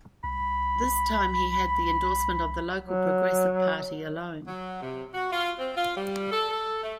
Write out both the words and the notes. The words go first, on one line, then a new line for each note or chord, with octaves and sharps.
This time he had the endorsement of the local Progressive Party alone.
C2 B5
F#3
F#3
C3
F#4
F4
C4
F4
G3
A4
A4
A3